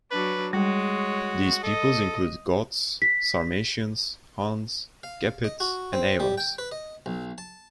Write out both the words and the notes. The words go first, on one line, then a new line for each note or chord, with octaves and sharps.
These peoples included Goths, Sarmatians, Huns, Gepids and Avars.
F#3 D4 B4
G3 G#3 F#4 C#5
A4 D#5
B6
F5
D#5
F#4
C4
G3
G5
B4
D#5
B1
A5